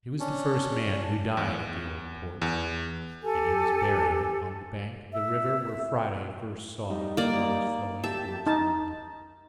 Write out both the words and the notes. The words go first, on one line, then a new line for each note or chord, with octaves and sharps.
He was the first man who died at the Old Port, and he was buried on the bank of the river where Friday first saw its waters flowing towards the mountain.
C#4 D4
E2
E2
G4 A4 G#5
E5
G3 D#4
A#3 D5
G4 E5 A5
D#4 A5